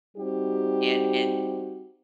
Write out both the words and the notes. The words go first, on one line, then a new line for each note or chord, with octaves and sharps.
and and
G3 C4 D#4 F#4 G4